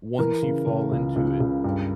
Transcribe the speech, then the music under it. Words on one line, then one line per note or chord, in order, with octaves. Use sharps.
once you fall into it,
E3 A#4
C#3
C#3
C#2
C#2
C#2
G2